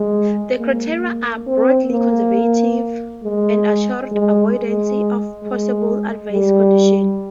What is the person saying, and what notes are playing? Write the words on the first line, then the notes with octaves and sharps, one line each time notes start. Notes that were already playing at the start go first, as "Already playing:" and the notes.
The criteria are broadly conservative and assure avoidance of possibly adverse conditions.
Already playing: G#3
A#3
C4
A#3
G#3
G#3
G#3
G#3
G3